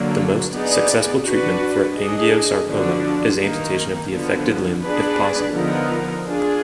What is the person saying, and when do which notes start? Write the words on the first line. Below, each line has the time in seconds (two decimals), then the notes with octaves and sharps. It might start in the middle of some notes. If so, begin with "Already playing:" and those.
The most successful treatment for angiosarcoma is amputation of the affected limb if possible.
Already playing: D3 F#3 A#3 D4
0.52 B3 D#4 G#4 D5
1.24 D4 F#4 B4 D5
1.96 D4 G#4 D#5
2.68 D3 F3 B3 D4 F#4
3.39 D#3 A#3 D#4
4.12 D3 F3 B3
4.83 B3 D4 G#4 B4 D5
5.55 D3 F3 B3 D#4 A#4
6.27 D4 F4 G#4